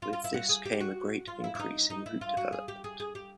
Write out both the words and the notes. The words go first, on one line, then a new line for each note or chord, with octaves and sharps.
With this came a great increase in route development.
F4
F4
E4
F#4
G#4
G4
F#4
F4
E4
E4
D#4
D#4
E4
F4
F#4
G#4
G4
G#4
G#4
G4